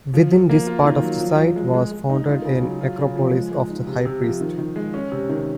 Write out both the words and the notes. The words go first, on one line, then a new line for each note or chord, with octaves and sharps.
Within this part of the site was founded a necropolis of the high priests.
F3
F3
A#3
F4
D#3
F#3
F3
F3
G#3
G#3
G#3
D#4
F4
C#3
F#3
F4
C#3
F3
G#3
G#3
D#4
C3
C3
F3
D#3
D#3
G#3
C#4
C3
D#3